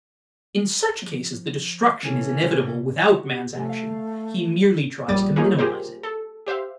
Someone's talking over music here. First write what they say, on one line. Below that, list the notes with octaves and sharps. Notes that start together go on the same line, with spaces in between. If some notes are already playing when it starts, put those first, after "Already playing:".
In such cases the destruction is inevitable without man's action; he merely tries to minimize it.
F3
A2 C3 E3 C#4
F#4 G4
C3 F3 A3 C#4
F5
A#1 F#2 G3 D6 D#6 A6
A#3 C#4 D#4 F4 G#4 A#4
F4 G4 G#4 A#4 C5
A4
G4 C5 E5 F5